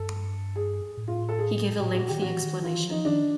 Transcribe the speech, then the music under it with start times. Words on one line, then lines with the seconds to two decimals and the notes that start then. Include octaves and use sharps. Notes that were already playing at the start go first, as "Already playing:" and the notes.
He gave a lengthy explanation.
Already playing: G2 A4
0.56 G#4
0.97 A2
1.08 F4
1.29 A4
1.39 G#4
1.80 A#2 G4
1.90 A2 F#4
2.01 A#2
2.08 D#3 G4
2.21 E3 F#4
2.43 D#3
2.63 E3 F4
2.85 F3
2.91 D#4
3.05 D#3 D4